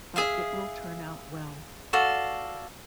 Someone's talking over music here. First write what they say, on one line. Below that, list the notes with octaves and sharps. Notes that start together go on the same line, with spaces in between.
But it will turn out well.
G#4 E5 F5
F#4 A4 D5 F5